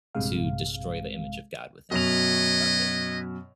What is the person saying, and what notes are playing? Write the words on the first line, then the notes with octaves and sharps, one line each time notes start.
to destroy the image of God within you, to corrupt it.
A#1 G2 C3 G#3 F5
F#2 B2 B4 C#5 D#5 F7